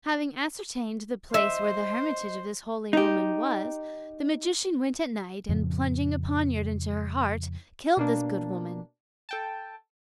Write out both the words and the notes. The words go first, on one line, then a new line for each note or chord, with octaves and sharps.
Having ascertained the place where the hermitage of this holy woman was, the magician went at night, and, plunging a poniard into her heart, killed this good woman.
C5 D#5 E5
D#4 G4
F2 A2 C#3 F3
B2 A#3 D4
A4 G5 A5